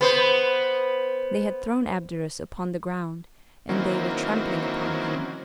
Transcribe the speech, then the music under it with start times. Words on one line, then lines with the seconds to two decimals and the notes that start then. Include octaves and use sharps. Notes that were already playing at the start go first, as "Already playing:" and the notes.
They had thrown Abderus upon the ground, and they were trampling upon him.
0.01 B3 C5
3.69 D#3 E3 F#3 A#3 C4 C#4